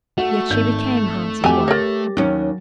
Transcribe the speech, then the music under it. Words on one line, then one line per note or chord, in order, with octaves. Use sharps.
Yet she became Hans' wife.
A3 F#4
G#1 G6
F2 F#3 G4 G#5
A#4 C#5 A6 A#6
D#2 F#3 C#4